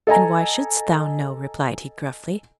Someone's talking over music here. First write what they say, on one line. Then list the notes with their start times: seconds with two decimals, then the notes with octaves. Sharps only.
"And why shouldst thou know?" replied he, gruffly.
0.07 A4 D#5 G#5 A#5